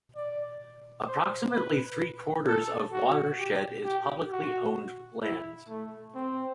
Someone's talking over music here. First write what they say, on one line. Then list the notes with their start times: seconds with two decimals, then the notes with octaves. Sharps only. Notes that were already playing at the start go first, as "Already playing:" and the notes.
Approximately three-quarters of the watershed is publicly owned lands.
0.16 D5
1.07 C5
1.54 B4
2.47 A4
2.92 F#4
3.39 G4
3.85 G4
4.31 F#4
5.23 E4
5.69 A3
6.15 C4